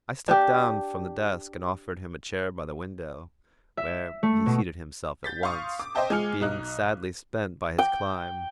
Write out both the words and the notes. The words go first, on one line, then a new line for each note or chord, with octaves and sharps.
I stepped down from the desk and offered him a chair by the window, where he seated himself at once, being sadly spent by his climb.
D4 G4
E5
A3
B2
G6 A6 B6
F5 C6 C#6 D#6
D6
C5 D#5 E5 G5 A5
G#3 F4 G#5 F6 C#7
B1 D#4 F#6
G5